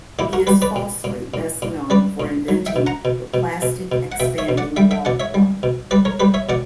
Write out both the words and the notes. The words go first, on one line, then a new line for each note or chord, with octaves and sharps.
He is falsely best known for inventing, the plastic expanding wall plug.
A#2 E4 G4
F#4 A#4
G3 G4 B4
B4 D5
A#2
A#2
A#2
A#2
G3 B4 D5
A#2
F#3
E5 G5
B2
F#5 A#5
B2
B2
B2
B2
F#5
B2 E5 G5
C#5 E5
B2
D5 F#5
G3 E5 G5
E5 G5
B2 D5 F#5
C#5 E5
G3
B2
G3 B4 D5
A#4 C#5
G3 G4 B4
C#5 E5
B2 D5 F#5